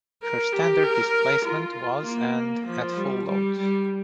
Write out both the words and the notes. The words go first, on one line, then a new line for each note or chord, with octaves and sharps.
Her standard displacement was and at full load.
A#4
G4
A#4
F4
A#3
F3
G3
G3
G3